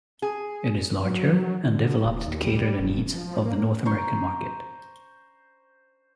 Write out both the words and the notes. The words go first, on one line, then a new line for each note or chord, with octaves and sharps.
It is larger and developed to cater the needs of the North American market.
G#4
F#3
D3
D#1
D#2
G3
E1
F3
A#3
C5 A#5 C6 C#6